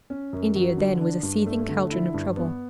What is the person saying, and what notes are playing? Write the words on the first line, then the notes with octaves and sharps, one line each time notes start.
India then was a seething caldron of trouble.
C#4
F#2
F#3
D3
D4
G2
A3
D3
E4
G2
B3